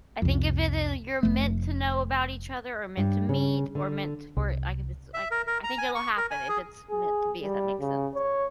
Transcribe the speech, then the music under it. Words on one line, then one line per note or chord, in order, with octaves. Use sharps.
I think if it is you're meant to know about each other, or meant to meet, or meant t for i like, if it's, like, I think it'll happen if it's meant to be, if that makes sense.
C2 F2
F1 A3
G2
C#3
D3
C2
E5
A#4
A#4
A#5
G#5
C#6
A#4
G#5
G#4
G#4
G3
C#3
C#5